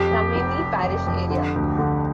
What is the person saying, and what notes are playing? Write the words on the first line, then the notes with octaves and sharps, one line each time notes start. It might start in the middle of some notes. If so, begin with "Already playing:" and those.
Tammany Parish area.
Already playing: F2 G4
F2
F1
F1
F2
F2
D3
D2
D3